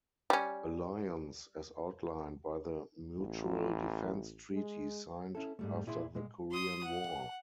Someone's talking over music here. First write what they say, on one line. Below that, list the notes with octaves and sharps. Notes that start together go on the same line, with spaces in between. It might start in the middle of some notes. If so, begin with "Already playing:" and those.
Alliance, as outlined by the Mutual Defense Treaty signed after the Korean War.
G3 C#4
A1
G#3
C#4 E4 A4
G#2 G3 A3
A#2 E4 G#4 D5 C6
A#2 G#3
C6 D#6
F#5